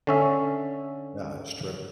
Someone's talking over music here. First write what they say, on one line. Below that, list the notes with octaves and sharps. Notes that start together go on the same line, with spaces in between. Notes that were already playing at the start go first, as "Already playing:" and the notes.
Yeah, it's true.
D3 C#4 E5